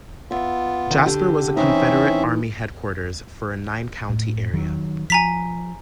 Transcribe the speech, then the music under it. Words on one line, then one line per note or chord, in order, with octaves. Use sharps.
Jasper was a Confederate Army headquarters for a nine-county area.
B3 F4 E5
D#3
D3 G4
E3 C4 C#4 D#4 E5
A2
D#3 F#3
F3 G#5 A#5 B6